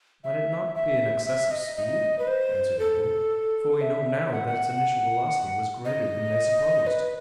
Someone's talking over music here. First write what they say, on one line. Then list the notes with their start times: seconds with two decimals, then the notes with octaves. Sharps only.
"Might it not be an excess of speed?" answered Nicholl; "for we know now that its initial velocity was greater than they supposed."
0.24 E5
0.75 E5
1.25 E5
1.51 D#5
1.77 D#5
2.19 B4
2.27 C5
2.79 A4
3.81 E5
4.32 F#5
4.48 F#5
4.66 F#5
5.85 D#5
6.87 B4